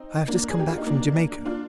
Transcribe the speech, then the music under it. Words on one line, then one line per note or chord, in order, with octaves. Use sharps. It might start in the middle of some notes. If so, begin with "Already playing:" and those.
I have just come back from Jamaica.
Already playing: C4 D#4
A#3 D4
G#4
G4
F4
D#4
A#3 D4
D4 F4